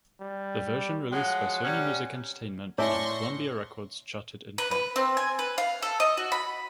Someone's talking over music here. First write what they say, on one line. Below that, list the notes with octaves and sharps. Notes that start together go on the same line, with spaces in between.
The version released by Sony Music Entertainment and Columbia Records charted in France.
G3
F3 F#3 G#3 F#5
C3 G3 C#4
A2 C#5 D5 E5 G#5 C6 C#6 A#6
B4
B4
C4
G#5
B4
F5
A4
D#5
F#4
B5